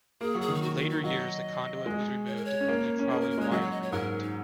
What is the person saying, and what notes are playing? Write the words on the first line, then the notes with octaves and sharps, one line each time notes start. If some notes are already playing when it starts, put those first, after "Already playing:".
In later years the conduit was removed and only trolley wire remained.
A#3 G#4
F#3
G#4
D#3
D#4
F#4
F#4
D#4
F#3 D#5
G#3
C#5
A#4
C#5
C#4
A#3
C#4
A#3 G#4
A#4
A#3
A#4
G#3
C#5
F#3 D#5
C#5
D#5
C#5
G#2 A#4
D#4